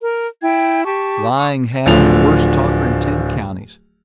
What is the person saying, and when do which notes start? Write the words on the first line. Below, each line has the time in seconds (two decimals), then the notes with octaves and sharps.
Lying hound--worst talker in ten counties!
0.01 A#4
0.42 E4 G5 G#6
0.84 G4 A5 C#6 D6
1.35 C#6 D#6
1.86 D1 D3 F3 A3 F7